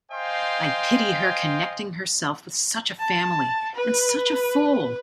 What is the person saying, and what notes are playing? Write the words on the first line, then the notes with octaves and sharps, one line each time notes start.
I pity her connecting herself with such a Family, and such a fool!
C5 D#5 F5 G5 G#5 C6
A5
B4